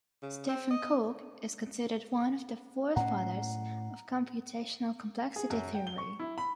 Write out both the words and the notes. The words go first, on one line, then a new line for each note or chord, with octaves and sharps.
Stephen Cook is considered one of the forefathers of computational complexity theory.
C#3
C4
D#5
A2 C#4 F#5 A#5
G#4
F#2
G5
G7
C#6
E4
B5